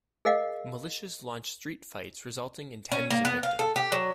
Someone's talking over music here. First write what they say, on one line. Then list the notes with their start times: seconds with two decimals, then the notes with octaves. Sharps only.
Militias launched street fights resulting in tens of victims.
0.25 G#4 A#4 D#5 F5 F#5
2.92 C#4
3.10 A#3
3.25 B3
3.43 F5
3.59 A4
3.76 G4
3.92 F#3